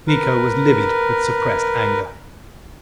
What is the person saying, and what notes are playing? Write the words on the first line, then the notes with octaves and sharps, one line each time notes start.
Miko was livid with suppressed anger.
A#4 B4